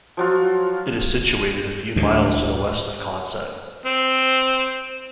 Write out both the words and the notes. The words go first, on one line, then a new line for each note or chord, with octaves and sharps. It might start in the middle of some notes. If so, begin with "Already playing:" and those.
It is situated a few miles to the west of Consett.
F3 F#3 F4
D2 A2
C4